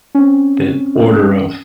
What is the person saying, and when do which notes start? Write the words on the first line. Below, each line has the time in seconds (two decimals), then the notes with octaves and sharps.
the order of
0.15 C4 C#4